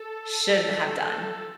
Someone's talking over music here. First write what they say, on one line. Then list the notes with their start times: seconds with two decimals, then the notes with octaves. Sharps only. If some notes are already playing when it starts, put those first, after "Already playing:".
shouldn't have done?
Already playing: A4
0.77 A4
1.13 A4